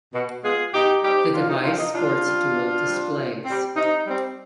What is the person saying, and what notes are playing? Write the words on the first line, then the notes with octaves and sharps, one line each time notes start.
The device sports dual displays.
B2
G#3 B3 F4 G#4
B2 D#4 G4
G3 C4 D#4 G4
B2 D4 F4
D#4
G3 C4 D4 F4
D#4
C3 D4 F4
G3 C4
C3
G3 C4
C3
G3 C4
C3 D#4
G3 C4